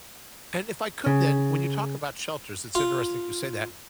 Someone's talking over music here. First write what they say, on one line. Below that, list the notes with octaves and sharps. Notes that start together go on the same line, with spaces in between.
And if I could then, when you talk about shelters, it's interesting that you say that.
C#3
F4